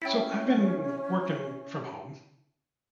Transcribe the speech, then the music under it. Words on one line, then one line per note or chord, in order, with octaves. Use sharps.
So, I've been working from home
C#4 E4 G5 A6 B6